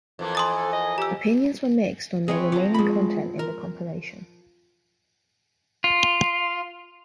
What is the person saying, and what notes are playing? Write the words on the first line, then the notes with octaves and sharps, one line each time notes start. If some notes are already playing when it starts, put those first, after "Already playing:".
Opinions were mixed on the remaining content in the compilation.
F2 E3 A#3
G#5 C6 D#6 A6
A4
D#5
G4 A#5 E6
C4 G#4 B4 C#5 D#5
F3 A#5
G#3 B5
A#4
F4